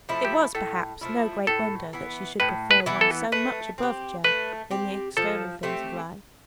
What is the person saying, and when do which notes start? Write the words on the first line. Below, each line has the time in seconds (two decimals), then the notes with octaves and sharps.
It was, perhaps, no great wonder that she should prefer one so much above Jem in the external things of life.
0.09 F3 A3 E4
0.25 G4
0.55 A2 A4
1.01 F3 A3 E4
1.47 A2 A4
1.93 E3 B3
2.40 A2 B4
2.71 B4
2.86 E3 B3
3.01 A4
3.32 A3 B4
3.78 C4 G4
4.24 A3 B4
4.71 C4 G4
5.17 F3 A4
5.63 A3 C4 G4